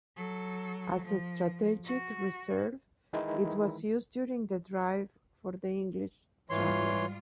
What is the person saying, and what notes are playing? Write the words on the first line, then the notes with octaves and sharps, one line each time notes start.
As a strategic reserve it was used during the drive for the English Channel.
F#3 A4
F3
F#4
D#3 E3 G#3 D#4 E4
G#2 E3 G3 F4 C#5 C6